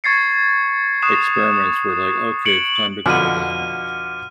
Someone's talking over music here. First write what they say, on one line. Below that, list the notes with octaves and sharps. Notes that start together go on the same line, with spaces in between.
experiments were like, "Okay, it's time to call Domino's.
C#6 G#6 A6 C7 C#7
C#6 D#6 F#6 C7 E7
D#6 C#7 D7 F#7
F2 B2 D3 F6 D#7